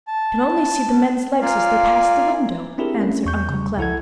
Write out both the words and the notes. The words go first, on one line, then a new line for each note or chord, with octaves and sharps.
"We can only see the men's legs as they pass the window," answered Uncle Clem.
A5
F4 A#4 D5 F5 G#5
C4 D4 E4 G4 G#4 A#4
A3 C#4
E2 C#6 G6
C#3 G3
C#2 E4 A4 F#5 G#6